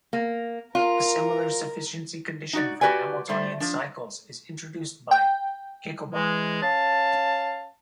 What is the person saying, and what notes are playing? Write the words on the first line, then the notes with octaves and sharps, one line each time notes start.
A similar sufficiency condition for Hamiltonian cycles is introduced by Kaykobad.
A#3
F4 A#4 A#5
D#4 F#4 D5
F#4 G4 B4 D5 G#5
G3 A3 C5 D5
F3 D4
G5
E3 G#3
C#4 F5 A5